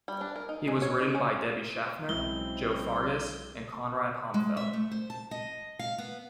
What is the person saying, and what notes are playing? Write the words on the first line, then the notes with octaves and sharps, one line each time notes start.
He was ridden by Debbie Shaffner, Joe Fargis and Conrad Homfeld.
G3
D4
A#4
D#4
G#3
C#5
D#4
C#4
B1 C#3 G#3 C4 E4 G7
G#3
E5
A3
C5
A5
D#5
F5
B3